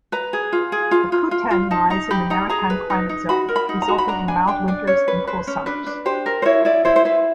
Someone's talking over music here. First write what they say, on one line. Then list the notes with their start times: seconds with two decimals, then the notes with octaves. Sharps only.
Akutan lies in the maritime climate zone, resulting in mild winters and cool summers.
0.12 B4 A#5
0.33 G#4
0.52 F4
0.72 G#4
0.91 F4
1.12 F4
1.31 F4
1.51 F4
1.71 D#4 A5
1.90 D#4 A#5
2.11 G4 B5
2.30 D#4 A#5
2.49 G#4 A#5
2.70 B4
2.90 D#4
3.09 D#4
3.29 F#4 B5
3.49 A#4
3.56 B5
3.69 D#4
3.82 A#5
3.88 F#4
3.98 B5
4.08 D4 A#5
4.28 D4 G#5
4.47 D4 G5
4.68 D4 D5
4.87 C#4 C#5
5.08 B4
5.27 B4 C5
5.47 C#4
5.66 D4 B4
5.87 D4
6.06 G4 C5
6.26 A#4
6.42 C5
6.46 E4 C#5
6.65 E4 D5
6.85 E4 C5
6.96 C5
7.05 E4 B4